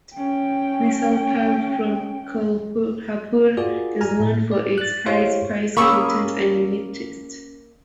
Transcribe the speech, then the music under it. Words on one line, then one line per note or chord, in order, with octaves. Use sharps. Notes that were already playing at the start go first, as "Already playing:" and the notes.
Misal pav from "Kolhapur" is known for its high spice content and unique taste.
C#4 G5
F4 F#4 G#4 A#4 D5
G#5 A#5 F6
A2
D5
F#6 A6
E4 G4 C5 C#5 F5 C6
A#3 C#4 G#4 B5 C#6 E6